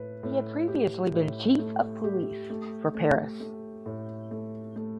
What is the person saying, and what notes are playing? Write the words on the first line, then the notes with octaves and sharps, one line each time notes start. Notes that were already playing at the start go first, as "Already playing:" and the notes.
He had previously been chief of police for Paris.
Already playing: A2 B4
A2
G4
A2
A3
G4
A3
A3
A3
A2
A3
A3